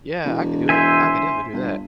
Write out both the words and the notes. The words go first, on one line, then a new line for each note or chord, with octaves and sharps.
"Yeah, I could do it, I can definitely do that."
E1
C5 E5 G#5
G1